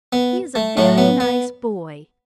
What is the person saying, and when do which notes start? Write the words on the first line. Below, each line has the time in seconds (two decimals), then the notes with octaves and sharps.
He is a very nice boy.
0.13 B3
0.55 A3
0.77 A2 F#3 A3
0.98 B3
1.20 B3